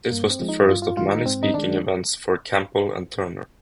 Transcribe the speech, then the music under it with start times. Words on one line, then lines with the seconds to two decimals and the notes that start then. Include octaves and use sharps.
This was the first of many speaking events for Campbell and Turner.
0.10 G2 A#3
0.30 C4
0.39 F3 G#3
0.49 D#4
0.68 G2 F4
0.82 F4
0.97 D#3 G#3 F4
1.11 D#4
1.26 G#2 C4
1.43 D#4
1.54 D#3 G#3 D4